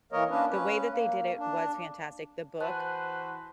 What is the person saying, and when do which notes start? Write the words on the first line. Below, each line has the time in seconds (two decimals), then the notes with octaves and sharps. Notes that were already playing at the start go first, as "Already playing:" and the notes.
the way that they did it was fantastic. The book
0.12 E3 A#3 A#4 C#5 D#5
0.30 A#3 C#4 D4 B4
0.52 C#4 B4
0.91 A#3
1.39 D4
2.60 E3 F#4 B4 C5 A5 F#6